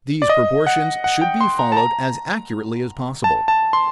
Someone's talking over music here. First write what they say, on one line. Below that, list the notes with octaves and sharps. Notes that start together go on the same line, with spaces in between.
These proportions should be followed as accurately as possible.
D5
D#5
F#5
F#5
G5
C6
A#5
A5
A#5
A5
A5
C6